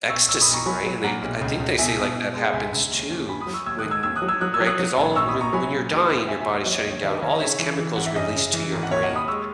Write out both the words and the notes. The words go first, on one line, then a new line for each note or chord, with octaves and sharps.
ecstasy, right, and they I think they say, like, that happens, too, when ooh right, 'cause all when when you're dying, your body's shutting down, all these chemicals release to your brain,
B1 C#6 E6
B1 C#6 E6
B5 D#6
B1
A#5 C#6
F#3 G#5 B5
F#3
A#2 F#5 A#5
B1
C#2
C#2
B2 E5 G#5
B2
B2
G#3
C#2 E5 G#5
C#2
D#2
D#2
D#2 G#5 B5
B5 D#6
F#3
C#6 E6
D#2 E6 G#6
D#6 F#6
D#3
E6 G#6
D#2 E6 G#6
D#6 F#6
F#3
E6 G#6
F#3 D#6 F#6
E6 G#6
F#3
D#6 F#6
F#3
A#1
A#1 C#6 E6
B5 D#6
A#1
A#5 C#6
F#3 G#5 B5
A#2
D#2
D#2
D#2 E5 G#5
E5 G#5
D#2
D#5 F#5
F#3 C#5 E5
D#5
D#2
C#5
D#3 E5
D#5
D#3 C#5
D#5
C#3 C#5 E5
E3
E3
G#1 F#5
E5
F#2 D#5
C#3
E3
G#1
F#5
D#2 C#5 E5
D#5 F#5
D#2
B5 D#6
G#3 C#6 E6